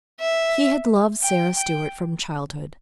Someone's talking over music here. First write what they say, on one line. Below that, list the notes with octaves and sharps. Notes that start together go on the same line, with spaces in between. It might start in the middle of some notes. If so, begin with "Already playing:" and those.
He had loved Sara Stuart from childhood.
E5
G5
G5